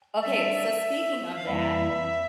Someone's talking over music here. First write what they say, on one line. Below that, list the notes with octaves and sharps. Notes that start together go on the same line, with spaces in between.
Okay, so speaking of that,
G3 D4 A4 D5 E5
F5
F2 E3 G3 A#3 E4 E5